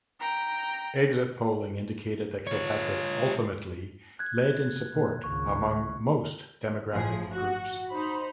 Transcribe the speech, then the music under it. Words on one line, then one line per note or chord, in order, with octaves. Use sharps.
Exit polling indicated that Kilpatrick ultimately led in support among most demographic groups.
G5 A#5
F4 C#5
F#6 G#6
A#2
G#1 C#2 C#6
G1 A2 F3 G#4
F#4
D#4 C5 B5